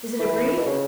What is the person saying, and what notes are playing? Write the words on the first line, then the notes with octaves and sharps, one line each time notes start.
"Is it agreed?"
E3
B2
C#3